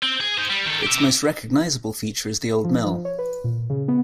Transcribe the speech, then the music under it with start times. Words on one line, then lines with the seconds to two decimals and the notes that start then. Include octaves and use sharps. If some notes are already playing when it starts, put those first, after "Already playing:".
Its most recognisable feature is the old mill.
0.03 C4
0.20 G#4
0.38 D#4 C5
0.50 G3
0.67 D#3 A4
0.83 G4 E5
2.64 F3
2.86 F3
3.05 C#5
3.19 B4
3.44 A#2
3.70 C#3
3.88 B3